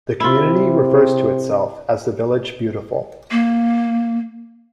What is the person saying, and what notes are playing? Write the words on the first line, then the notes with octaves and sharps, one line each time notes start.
The community refers to itself as The Village Beautiful.
C3 E4 F4
A#3